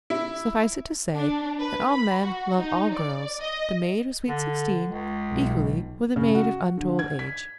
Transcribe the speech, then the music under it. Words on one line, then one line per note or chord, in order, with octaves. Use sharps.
Suffice it to say that all men love all girls-the maid of sweet sixteen equally with the maid of untold age.
E4
D4
B4
B5
F#4
D#4
D5
D#5
D3
C#2
B1
C#3
F#4
D3
G#6
B6